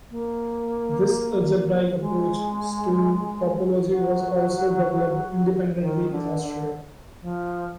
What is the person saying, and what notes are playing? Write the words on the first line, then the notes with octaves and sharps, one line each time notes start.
This algebraic approach to topology was also developed independently in Austria.
A#3
G#3
F#3
D#3
D3
D3
F3